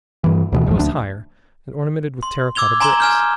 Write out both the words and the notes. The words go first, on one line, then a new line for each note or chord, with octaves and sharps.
It was higher, and ornamented with terra-cotta bricks.
G2 E3
D2 B2 E3
D#1 A1 F#2 F3
D2 D4
C6
D6 E6 G#6 F7 G7
G#5 A#5 C6 G#6 E7 G7
G#5 F6 G6